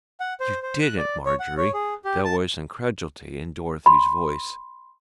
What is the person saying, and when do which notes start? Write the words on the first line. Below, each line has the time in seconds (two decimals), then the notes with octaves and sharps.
"You didn't, Marjorie." There was incredulity in Dorothy's voice.
0.20 F#5
0.40 C5
0.63 C5
0.82 F#6
0.98 D5
1.26 C#5
1.40 F#5
1.57 C#5
1.74 G#4
2.05 G4
2.25 A5
3.86 B5 C6